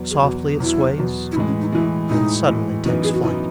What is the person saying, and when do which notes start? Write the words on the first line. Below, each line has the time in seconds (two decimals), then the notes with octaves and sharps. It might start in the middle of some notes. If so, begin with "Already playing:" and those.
Softly it sways, then suddenly takes flight.
Already playing: E2 B2 F#3
0.11 G#4
0.23 E2 B2 F#3 F#4
0.60 E2 B2 F#3 E4
0.98 E2 B2 F#3
1.32 E4
1.35 A2 E3 G#3 D#4
1.47 C#4
1.61 D#4
1.72 A2 E3 G#3 E4
2.10 A2 E3 G#3 D#4
2.47 A2 E3 G#3
2.84 F#2 E3 B3 D#4 F#4
3.03 G#4
3.14 F#4
3.22 F#2 E3 B3 D#4 E4